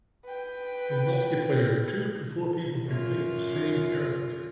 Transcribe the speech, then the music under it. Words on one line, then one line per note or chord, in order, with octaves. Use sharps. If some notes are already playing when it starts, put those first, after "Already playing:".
In multiplayer, two to four people can pick the same character.
B4 G5
F#2 F4